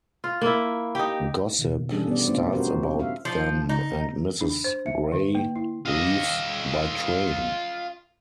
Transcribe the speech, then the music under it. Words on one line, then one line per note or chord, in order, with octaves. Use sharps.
Gossip starts about them and Mrs Gray leaves by train.
F4
A#3 E4
D#4 G4
B2 D#3
E3 G3 C#4 D4 G#4 A4
B3 D5
A3 B3 C4 D4 F4 C5
C#4 F#4 G4 A#4 C5
E5 F5
F3
D#4
D4
C5
E5
D3
A#3
E4
F4 D#5